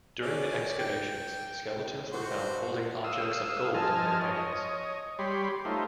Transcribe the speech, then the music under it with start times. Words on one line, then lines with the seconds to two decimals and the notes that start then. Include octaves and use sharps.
During the excavations, skeletons were found holding objects of gold in their hands.
0.22 G#4 C#5 D5
0.79 G5
2.12 F#4 C5
3.04 F5 D#6 E6
3.74 F3 D#5 G#5 A5 F6
4.21 C#5 D#5
5.19 G3 G4 C#5 B5 C6
5.65 A3 D#4 F4 C5